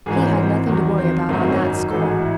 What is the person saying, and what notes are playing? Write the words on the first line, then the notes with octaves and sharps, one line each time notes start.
He had nothing to worry about on that score.
G#1 G#2 E3 G#4
C4
C#4
C4
E2 D#3 F#3
C4
G#1 F#2 D#3 F#3 A3
C4
C#4
D#4
A1 G#2 F#3 A4
G#4
F#4
E4